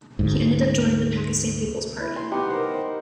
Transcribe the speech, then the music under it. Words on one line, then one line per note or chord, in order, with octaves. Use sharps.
He ended up joining the Pakistan Peoples Party.
D2 G#2
E4
C6
B3 D#4 G4 F#5
A#4 C5
C5